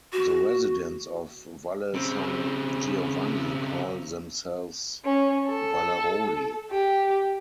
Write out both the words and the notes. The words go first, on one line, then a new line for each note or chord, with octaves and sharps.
The residents of Valle San Giovanni call themselves "Vallaroli".
F#4
C#3 C4
C#4
A4
G4